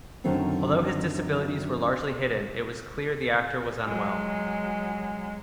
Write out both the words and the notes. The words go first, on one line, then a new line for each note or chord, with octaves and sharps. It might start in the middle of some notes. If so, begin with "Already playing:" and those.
Although his disabilities were largely hidden, it was clear the actor was unwell.
F#2 D3 D#3 F#3 C4
F#3 G#3